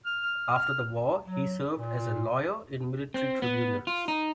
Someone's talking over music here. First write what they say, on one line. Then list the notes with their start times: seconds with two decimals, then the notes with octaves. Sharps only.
After the war he served as a lawyer in military tribunals.
0.05 F6
1.27 F#3
1.78 A#2
3.14 C4
3.42 B3
3.87 F4
4.08 D#4